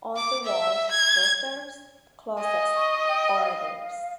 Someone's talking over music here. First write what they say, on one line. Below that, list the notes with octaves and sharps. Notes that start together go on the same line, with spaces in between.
On the walls, posters, closets, orders.
D6
E5
G#6
D#5 G#5
C#6
G5
F5